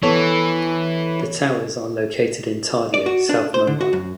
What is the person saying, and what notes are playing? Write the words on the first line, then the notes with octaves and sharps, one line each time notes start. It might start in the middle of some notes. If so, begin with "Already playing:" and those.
The towers are located in Tardeo, South Mumbai.
E3 B3 A4 C#5
D5
F#4
D4
C5
D3
F#4
F#2